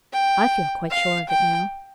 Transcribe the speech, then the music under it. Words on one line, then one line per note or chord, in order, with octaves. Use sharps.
"I feel quite sure of it now."
G5
F5
G5